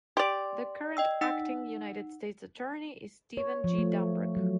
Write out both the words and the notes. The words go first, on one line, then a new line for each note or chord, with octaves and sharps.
The current Acting United States Attorney is Stephen G. Dambruch.
G4 D5 C6
D#5 G5 E6
D#4 F#5 E6
C#5
F3
A3
F#3